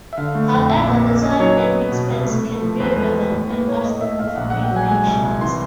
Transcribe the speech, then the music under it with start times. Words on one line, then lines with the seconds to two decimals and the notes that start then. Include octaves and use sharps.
However, the time and expense can be a burden and obstacle for many patients.
0.13 E5
0.18 D3 F5
0.35 A3
0.53 F2
0.70 A#1 E5
0.87 A#2
1.05 A#3
1.23 C#4 D#5
1.40 F#3 C#5
1.57 C#4 B4
1.75 B3
1.92 B2
2.10 C2
2.27 A3
2.45 A3
2.61 F3
2.80 E2 B4
2.87 C5
2.96 G#3 B4
3.15 G#3
3.32 A2
3.49 A#3 B4
3.67 A2 C#5
3.84 A3 D#5
4.01 A2 E5
4.19 A2 F5
4.36 A#1 F#5
4.50 A#1 F#5
4.63 G5
4.71 F#3
4.76 G#5
4.88 G#3 G#5
5.06 C2
5.24 C2
5.41 E3 C6